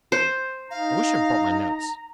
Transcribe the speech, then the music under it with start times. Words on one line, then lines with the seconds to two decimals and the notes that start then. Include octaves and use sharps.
I wish I'd brought my notes.
0.12 C5
0.71 D#4 F5 A#5